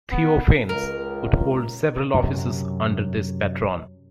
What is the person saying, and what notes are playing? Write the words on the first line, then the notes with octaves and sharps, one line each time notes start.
Theophanes would hold several offices under this patron.
B3
C#2 A#4
F#2 C3 F#3